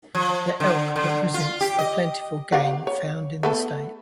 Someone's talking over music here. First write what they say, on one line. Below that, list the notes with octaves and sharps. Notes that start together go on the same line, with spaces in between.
The elk represents the plentiful game found in the state.
F3
D3
D3
F4
G4
D#5
G4 F5 F#5
C#5
A3 B3 A4